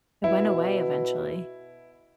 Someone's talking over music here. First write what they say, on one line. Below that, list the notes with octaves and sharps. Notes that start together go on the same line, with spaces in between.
it went away eventually.
B2 E4